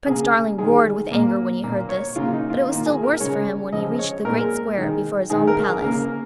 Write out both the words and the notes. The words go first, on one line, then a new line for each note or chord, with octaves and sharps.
Prince Darling roared with anger when he heard this; but it was still worse for him when he reached the great square before his own palace.
C#3 A#3 G#4
D#3 G#3 G#4
A#2 A#3
A#2 A#3
C#5
C#3 A#3 F4
D#4
F4
D#3 A#3 F4
G#4
A#4
C#3 G#3 C#5
C#3 F3 G#3 D#5
C#5
A#2 G#3 A#4
D#3 G#3
D#3 G#3 G#4
A#4
G#4
C#3 A#3 A#4